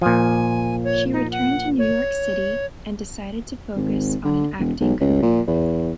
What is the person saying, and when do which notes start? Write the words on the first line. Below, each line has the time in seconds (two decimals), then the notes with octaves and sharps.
She returned to New York City and decided to focus on an acting career.
0.02 A#2 F3 G#5
0.84 C#5
1.13 D#4
1.32 F#5
1.79 C#5
3.76 G#1
4.24 D3
4.58 E1
4.80 B1
5.00 C#2
5.22 A#2
5.47 E2